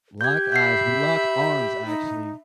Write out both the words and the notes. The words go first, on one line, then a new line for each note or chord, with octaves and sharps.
lock eyes, we lock arms, actually,
G4 G6 G#6
E5 B5 G6 C7
D#4